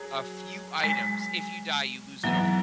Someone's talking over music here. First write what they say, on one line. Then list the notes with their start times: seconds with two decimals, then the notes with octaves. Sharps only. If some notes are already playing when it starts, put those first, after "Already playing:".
a few items if you die, you lose it all.
Already playing: F#3 G#4
0.84 G#3
2.23 G#2 E3 F#3 B3 E4